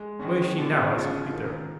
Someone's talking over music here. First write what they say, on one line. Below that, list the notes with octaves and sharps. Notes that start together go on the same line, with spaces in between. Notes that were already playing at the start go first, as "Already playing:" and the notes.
"Where is she now?" asked Peter.
Already playing: G#3
D#3 C#4
B2 D3
C#3 F4
D#3